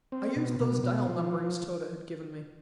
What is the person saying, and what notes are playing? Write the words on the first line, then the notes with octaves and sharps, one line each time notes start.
I used those dial numberings Tode had given me.
C4
B2
B2
B2
F3